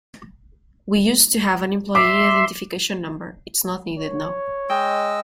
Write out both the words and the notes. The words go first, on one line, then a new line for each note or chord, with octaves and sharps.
We used to have an employee identification number, it's not needed now.
E5 C6 D6
C#5
G#3 D#5 G5 E6